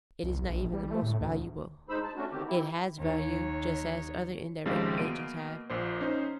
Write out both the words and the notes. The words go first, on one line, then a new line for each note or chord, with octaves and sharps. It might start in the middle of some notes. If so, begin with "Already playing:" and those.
It is not even the most "valuable"; it has value just as other indirect agents have.
C2
A#1
G3
A3
A2
D2
D2 G#3 D#4 C5 B5 E6
A5
A3 C#4 D4 F#4
D3 D#3 C4 G4
E3 C4 E4
D#2 C#5
G#1 C#3 F3 G#3 F4 G4
B2 A#3 D7 D#7
A#1 A#2 C5
C#4 D#4 C5